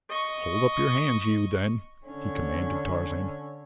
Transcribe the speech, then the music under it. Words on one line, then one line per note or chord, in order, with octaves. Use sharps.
"Hold up your hands, you, then," he commanded Tarzan.
D#5 C#6
D3 C#4